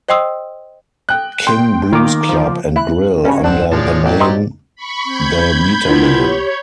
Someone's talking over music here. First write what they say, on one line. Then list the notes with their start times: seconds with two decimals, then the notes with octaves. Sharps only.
King Blues Club and Grill under the name The Metermen.
0.08 C5 D#5 G5 C6 D#6 E6
1.09 G5 F#6
1.47 G5 C6
1.93 D#3 F5 A#5 D6
2.29 F3
2.76 E4 F#6
3.24 G2 C#3 C#4 F#4
3.44 G1 D2 C4 D4 F#5 E7
3.72 A2 F3 G#3 C#5 D5 A5
4.04 A1 F#3 G4
4.20 C4 D#4
4.76 B5 C#6
5.06 C4 B5 G6 G#6
5.87 B3 D4 E4 F4
6.18 G4 C#5